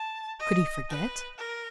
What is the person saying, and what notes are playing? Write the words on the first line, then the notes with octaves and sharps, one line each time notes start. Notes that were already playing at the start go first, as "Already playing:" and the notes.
Could he forget?
Already playing: A5
D#5
B4
A#4